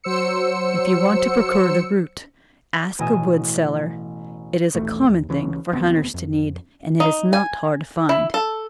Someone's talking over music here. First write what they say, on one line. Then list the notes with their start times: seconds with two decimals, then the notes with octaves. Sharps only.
If you want to procure the root ask a wood-seller; it is a common thing for hunters to need, and it is not hard to find.
0.04 F#3 C5 E6 C#7
2.99 A1 B2 D#5 G#5 D#6 E7
4.75 D#1 A1 A3
5.09 D#2
5.29 C#2 E3 C#4
5.73 D#1 D2 B3 C4
6.14 F2
7.00 D#4
7.33 G#5
8.09 E4
8.34 A4